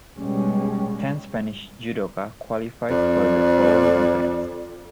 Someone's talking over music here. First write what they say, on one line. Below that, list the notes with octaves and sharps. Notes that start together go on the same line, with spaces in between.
Ten Spanish judoka qualified for the following events.
B2 G3 G#3 C#4
F2 D5